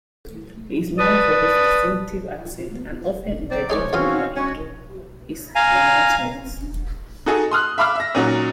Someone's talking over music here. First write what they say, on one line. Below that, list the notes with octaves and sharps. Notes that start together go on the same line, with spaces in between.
He is known for his distinctive accent, and often interjects humour into his announcements.
B4 D5 A5 D#6
F#3 C4 D5
F3 G#3 A3 D#4 G#4 C#5 D5
E2 C4 C#4 F4 F#4 F5 D#6
G#3 C#4 F#4 C#5
F5 G#5 A#5
D#4 F#4 G#4 A4 G#5 D#6
C6 D#6 F6 F#6
E5 F5 B5 D6 E6 F6
E5 A#6
A#2 F#3 C#4 D#4 F#4